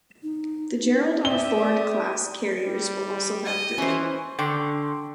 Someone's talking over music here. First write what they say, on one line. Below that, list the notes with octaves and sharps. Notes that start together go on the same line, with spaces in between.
The "Gerald R. Ford"-class carriers will also have three.
D#4
C4 G4 D5 E5 D#6 G7
G3
D#5
E3 C#4 C5
D3 G5 C6 C#6